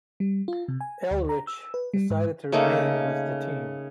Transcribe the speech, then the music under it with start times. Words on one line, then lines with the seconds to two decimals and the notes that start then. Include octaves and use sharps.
Elric decided to remain with the team.
0.20 G3
0.48 F4
0.68 C3
0.81 G#5
1.11 D2
1.29 A#5
1.47 E6
1.74 B4
1.94 G3
2.10 G#2
2.52 C#3 A3 A#3 D#4